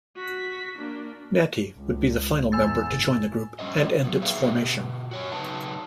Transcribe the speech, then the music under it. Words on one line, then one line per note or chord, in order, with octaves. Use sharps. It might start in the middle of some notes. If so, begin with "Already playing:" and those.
Natti would be the final member to join the group and end its formation.
F#4 B6
A#3 D4
C#2
E2 A2 G#5 E6 A6
G1
G3 C#4 C5 D#5
F#3 B3
D#4 F#4 G#4 B4 E5 F5
B2 E3 G4
F#4 C#5 G#5
C#3 F#3 D#4 B4 A5